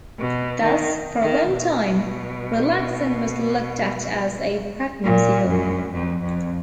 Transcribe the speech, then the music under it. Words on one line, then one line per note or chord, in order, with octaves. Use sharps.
Thus, for a long time, relaxin was looked at as a pregnancy hormone.
B2
D#3
D#3
B2
A#2
F#2
F2
F2